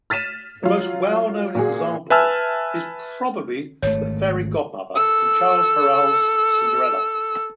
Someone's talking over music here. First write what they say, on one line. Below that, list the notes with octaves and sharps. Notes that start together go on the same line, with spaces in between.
The most well-known example is probably the fairy godmother in Charles Perrault's "Cinderella".
F6 A6 B6 D#7 E7
F#3 F4
A#2 F#4 G#4
B4 E5 G#5 A5 E6 F6
G#1 A3 C#5
A4 E6